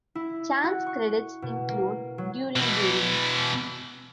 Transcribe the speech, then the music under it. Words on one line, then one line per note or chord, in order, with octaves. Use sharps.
Chan's credits include "Durian Durian".
E4
F#4
C#6
B2
A#3
F#3
B2 E3